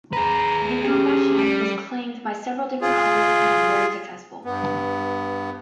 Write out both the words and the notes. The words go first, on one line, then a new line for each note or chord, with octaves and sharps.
The "Confession" was claimed by several different authors and was very successful.
G#4 B4 A#5
C#4 G4
G3
F4 G#4
G2 B3